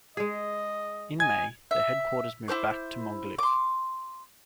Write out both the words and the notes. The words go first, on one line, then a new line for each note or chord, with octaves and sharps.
In May, the headquarters moved back to Mogilev.
G#3 G#4 D#5
D#5 G#5 G#6
E5
E4 G#4 C5 D6
C6 D6